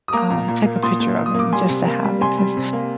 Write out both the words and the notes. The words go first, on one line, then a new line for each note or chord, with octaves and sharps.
um, take a picture of 'em just to have it 'cause
D#6
A#3 A#5 D6
A#2
A#2
A#3
A#2 C6 D#6
A#2
A#2
D#6
A#3 D6
G3 G#5 C6
C3
A#3
G3
C3 G#5 C6
G3
C3
A#3